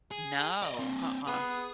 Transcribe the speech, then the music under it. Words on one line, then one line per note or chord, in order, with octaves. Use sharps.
No, nuh-uh.
G#4
D5 D#5
C4 D4
B3 G#4